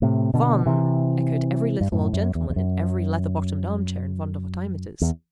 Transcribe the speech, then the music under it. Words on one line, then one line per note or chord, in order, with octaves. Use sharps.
"Von!" echoed every little old gentleman in every leather-bottomed arm-chair in Vondervotteimittiss.
A2 C3
B2 D3
C3 E3
G2
F#2 A2
F#2
E2
E2
F#2
E2